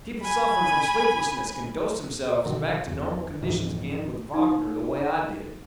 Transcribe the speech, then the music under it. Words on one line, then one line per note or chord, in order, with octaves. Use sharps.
People suffering from sleeplessness can dose themselves back to normal conditions again with Wagner the way I did.
G#5 B5
B2 D3 D#3
E2
C#2 G#2 E3 F3
D#4